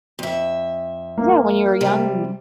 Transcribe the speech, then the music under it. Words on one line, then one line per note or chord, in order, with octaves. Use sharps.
Yeah, when you were young, and
F2 E5
A#3
C3 G3